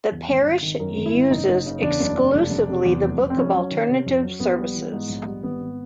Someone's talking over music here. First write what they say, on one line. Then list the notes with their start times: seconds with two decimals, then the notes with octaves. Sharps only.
The parish uses exclusively the Book of Alternative Services.
0.12 E2
0.28 G#1
0.46 G#1
0.63 D#3
0.79 F#2 A#4
0.97 G#1
1.06 E4
1.14 G#1
1.31 F#1 D#4
1.48 F#1
1.66 C#3
1.82 E2 D4
2.00 F#1
2.17 F#1
2.34 F1
2.51 F1
2.69 C3
2.85 E2
3.03 F1
3.20 F1
3.30 C4
3.37 F2 C#4
3.54 F#3
3.71 D#3
3.89 C3
4.06 F2
4.23 F#3
4.40 A#1 B3
4.57 G3
4.75 E3
4.92 G#2
5.09 A#1
5.26 G3
5.43 G#1 B3
5.60 G#1